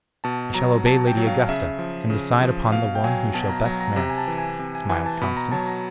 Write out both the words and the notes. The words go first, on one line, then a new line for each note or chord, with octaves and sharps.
"I shall obey Lady Augusta, and decide upon the one who shall best merit it," smiled Constance.
B2 A5
F#3 A#5
B2 A5
G5
F#3
F5
F5
C#3 E5
F3
C#3
F3
B2 F5
G5
F#3 G#5
B2 A5
A#5
F#3 A#5
A#5
C3 A#5
G#5
A5
E3
G#5
C3
G#5
E3 G#5
A5
B2 B5
A#5
F#3 A5
A#5